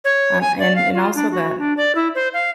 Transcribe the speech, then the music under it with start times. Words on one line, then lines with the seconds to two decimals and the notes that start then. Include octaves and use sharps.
Um, and and also, that
0.04 C#5
0.41 G#5
0.59 D5
0.76 F5
0.94 F4
1.15 D4
1.31 F#4
1.59 D4
1.77 D5
1.95 E4
2.15 C5
2.34 F5